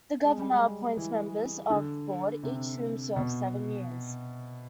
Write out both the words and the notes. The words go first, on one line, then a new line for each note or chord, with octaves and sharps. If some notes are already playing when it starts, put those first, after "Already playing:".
The governor appoints members of the Board, each of whom serve seven years.
G#3
G3
G#3
E3
D3
C3
B2